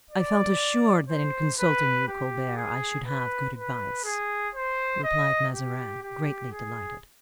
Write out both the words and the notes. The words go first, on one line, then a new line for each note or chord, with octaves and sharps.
"I felt assured that in consulting you, Colbert, I should have good advice," replied Mazarin, greatly delighted.
D5
C5
B4
G4
G#4
B4
B4
G#4
C5
D#5
G4
G4
G#4